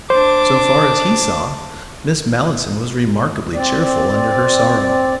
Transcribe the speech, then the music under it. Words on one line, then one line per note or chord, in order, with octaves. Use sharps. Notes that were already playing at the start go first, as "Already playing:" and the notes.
So far as he saw, Miss Malleson was remarkably cheerful under her sorrow.
D4 C5 D6
C4 D5